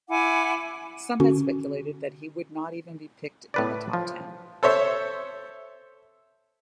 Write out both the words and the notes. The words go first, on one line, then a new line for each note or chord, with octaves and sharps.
Some had speculated that he would not even be picked in the top ten.
E4 F#5 G#5 D6
D3 C#4 F#4
A2 B4 D5
F3
A4 C5 C#5 E5